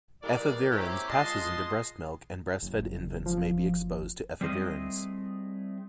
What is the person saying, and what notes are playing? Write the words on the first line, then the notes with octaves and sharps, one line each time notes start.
Efavirenz passes into breast milk and breast-fed infants may be exposed to efavirenz.
E3 G3 G#3 A#4 D5
A#3 C4 C#4 E4 G4
G#3 F4 G#4 D#5 A5 C6
F#1
F3
G3 A3 C4 E4 G#4 D#5